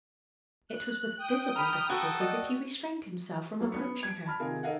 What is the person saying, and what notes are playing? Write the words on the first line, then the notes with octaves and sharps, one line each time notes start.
It was with visible difficulty that he restrained himself from approaching her.
F#6
G5 D#6
A#5 B5 F6
F#4 A4
D5 D#5 F#5
F#3 B3 A4
B3 C#7
G#6 D7
A5 B5 F6
C3 D#3 F4 G#4 A#4
D#4 A4 A#4 D#5 F5 F#5